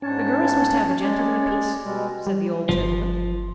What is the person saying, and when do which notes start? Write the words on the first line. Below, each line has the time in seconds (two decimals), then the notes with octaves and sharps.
"The girls must have a gentleman apiece," said the old gentleman.
0.02 G#2 C#4 D4 A5
1.01 G#3 D5
1.84 B2 G3 G#3
2.27 G3
2.69 G1 F3